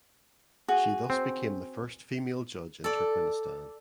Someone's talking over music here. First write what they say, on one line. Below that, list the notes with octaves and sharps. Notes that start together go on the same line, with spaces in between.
She thus became the first female judge in Turkmenistan.
F#4 G#4
C4
A4 D5